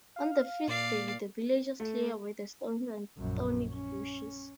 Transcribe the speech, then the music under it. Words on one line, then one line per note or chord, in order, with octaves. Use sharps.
On the fifth day the villagers clear away the stones and thorny bushes.
F5
A#2 D5 F5
A3
A#1 F#2
C#4